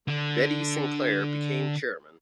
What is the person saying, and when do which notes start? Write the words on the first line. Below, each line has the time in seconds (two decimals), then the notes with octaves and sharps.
Betty Sinclair became chairman.
0.08 D3 D4